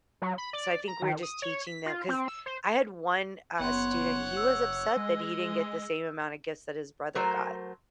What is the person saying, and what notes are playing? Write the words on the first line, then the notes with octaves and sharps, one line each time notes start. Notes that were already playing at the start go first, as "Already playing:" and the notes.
so I think we're just teaching them 'cause I had one, uh, student, he was upset that he didn't get the same amount of gifts that his brother got.
F#3
B5
D5
A#5
D#3
D#6
C#5
B6
F4
C4
E6
C5
F#1 B3 C#5 F#5 C6
E6
G#3 D#5
F#3 A3 A#4 C5